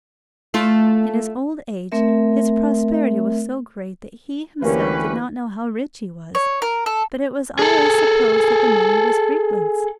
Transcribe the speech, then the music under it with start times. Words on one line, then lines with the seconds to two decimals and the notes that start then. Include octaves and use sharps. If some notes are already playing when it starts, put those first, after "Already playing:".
In his old age his prosperity was so great that he himself did not know how rich he was; but it was always supposed that the money was Friedlin's.
0.54 A3 F4
1.92 A3 C4 A#4 E5
4.62 D2 E3 A#3 C#4 G4 B4
6.35 C#5
6.62 A#4
6.86 A4
7.59 G#4 A4